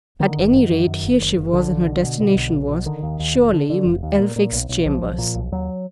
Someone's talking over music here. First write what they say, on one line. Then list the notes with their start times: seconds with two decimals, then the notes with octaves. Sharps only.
At any rate, here she was, and her destination was, surely, Elphick's chambers.
0.20 D3 D#3
0.37 F#1
0.53 F#2
0.71 F#2
0.87 F#2
1.03 F#1
1.20 F#1
1.37 F#1
1.53 B1 D3
1.70 B1
1.87 B2
2.03 B2
2.20 B2
2.36 B1
2.53 B1
2.70 B2
2.86 D3 D#3
3.03 D#2
3.19 D#2
3.36 F1
3.53 D3
3.70 D3
3.85 F1
4.03 D#2
4.20 A#2
4.36 A#2
4.52 B1
4.69 B1
4.85 B1 F3
5.02 B1
5.18 A#2
5.35 B1
5.52 D#2 F#3